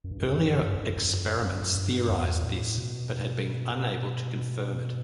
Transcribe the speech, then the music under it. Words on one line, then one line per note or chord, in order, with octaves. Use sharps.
Earlier experiments theorized this but had been unable to confirm it.
F#2
G2
F#2
G2
F#2
G2
F#2
G2
F#2
G2
F#2
G2
F#2
G2
F#2
F#2
G2
F#2
G2
E2
A2
B2